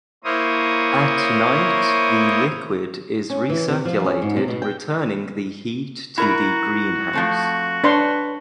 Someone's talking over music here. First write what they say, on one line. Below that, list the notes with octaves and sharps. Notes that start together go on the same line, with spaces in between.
At night the liquid is recirculated returning the heat to the greenhouse.
A#3 E4 A#4 C5 C#5 D#6
C#4
E3
C3
F3
C#4
G#2
C3
B2
G5
E4 F#4 A#4 A#5
F3 A3 C4
D4 B4 C#5 C6